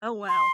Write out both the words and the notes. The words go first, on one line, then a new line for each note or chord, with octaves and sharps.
Oh, wow.
C6